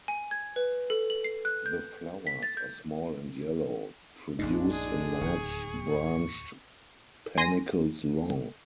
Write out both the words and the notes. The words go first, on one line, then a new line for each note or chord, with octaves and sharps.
The flowers are small and yellow, produced in large branched panicles long.
G#5
G#6
B4
A4
F#7
C7
F#6
G6
B6
A6
G6
A#1 F#2 A2 G#3 D4 D#4
G#4
D1 D#2 C#6
G#5 C6 A#6 D#7